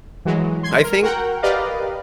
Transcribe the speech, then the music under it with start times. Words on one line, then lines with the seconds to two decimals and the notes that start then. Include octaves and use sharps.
I think
0.25 E3 F#3 G#3
0.63 C6 G#6
0.84 A#4
1.03 F#4 A#4 F#5 G5
1.42 G4 A#4 B4 D5 D#5 F5